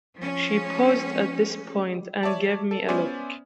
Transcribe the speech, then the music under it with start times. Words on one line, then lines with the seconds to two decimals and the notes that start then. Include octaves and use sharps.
She paused at this point and gave me a look.
0.15 F3 C#4
2.23 C#5 D5 E5 A5
2.71 A4
2.88 B3 C#4 C5 D5 E5 G#5